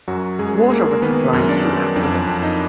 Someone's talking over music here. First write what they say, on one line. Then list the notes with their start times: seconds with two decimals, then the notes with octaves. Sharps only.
Water was supplied through aqueducts.
0.08 F#2 F#3 F#4
0.39 F#2 G#3 G#4
0.63 G#4
0.70 G#3 A#3 A#4
1.02 D#3 B3 B4
1.33 F#2
1.49 D4 D5
1.65 F#2
1.96 F2 D4 D5
2.27 F2
2.43 D#4 D#5